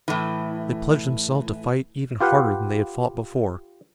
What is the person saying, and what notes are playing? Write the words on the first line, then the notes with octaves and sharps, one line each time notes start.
They pledged themselves to fight even harder than they had fought before.
A2 E3
F4 G4 B4 F5 F#5